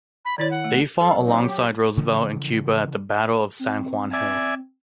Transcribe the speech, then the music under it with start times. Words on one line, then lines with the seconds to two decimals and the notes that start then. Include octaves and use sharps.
They fought alongside Roosevelt in Cuba at the Battle of San Juan Hill.
0.25 B5
0.38 D#3 E4 C#5 D5
0.51 F#5
0.64 A3
1.00 F#3 A4 F5
1.26 C4 D#4
1.42 G4
1.97 C#3 E3 F3
3.59 C4
4.13 D5 E5 G#5